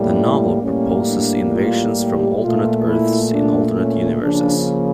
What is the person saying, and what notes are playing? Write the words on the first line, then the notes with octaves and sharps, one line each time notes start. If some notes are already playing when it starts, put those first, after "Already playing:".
The novel proposes invasions from alternate Earths in alternate universes.
Already playing: A2 G3 A#3
E4
A2 G3 A#3 C#4
D4
F4
G4
A#2 A3 F4
E4
D4
C#4
C#3 F3 A#3 D4